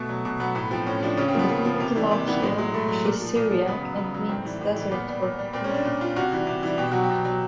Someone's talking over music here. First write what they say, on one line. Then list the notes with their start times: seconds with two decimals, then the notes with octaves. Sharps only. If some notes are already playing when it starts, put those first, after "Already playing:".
The word "Lahia" is Syriac and means "desert" or "fatigue".
Already playing: B2 A3
0.09 F#3
0.25 B2
0.40 F#3 B3
0.55 A2 B3
0.71 F3 C4
0.86 A2 C#4
1.03 F3 D4
1.17 C#3 C#4
1.28 C4
1.33 F3 A#3
1.39 B3
1.48 C#3 A#3
1.64 F3
1.80 C3
1.96 E3 G3
2.11 C3 A#3
2.27 E3 G3 B3
2.42 A2 G#3
2.58 F#3 G#3
2.74 A2 A3
2.88 F#3
3.04 A#2 A#3
3.20 F3
3.35 A#2
3.51 F3
3.67 C#3 B3
3.82 F#3
3.98 C#3
4.14 F#3
4.29 A2 C4
4.45 E3 G3
4.61 A2
4.76 E3 G3
4.91 A#2 B3
5.08 G3
5.22 A#2
5.39 G3
5.53 A#2 C4
5.64 C#4
5.70 G3 D4
5.85 A#2
6.01 G3 F4
6.16 C3 F#4
6.32 E3 G3
6.47 C3
6.63 E3 G3
6.78 B2 G4
6.91 F#3 F#4
7.04 G4
7.09 B2
7.25 F#3